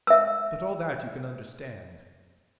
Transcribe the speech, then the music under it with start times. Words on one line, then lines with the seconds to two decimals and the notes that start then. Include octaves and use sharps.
But all that you can understand.
0.07 E5 E6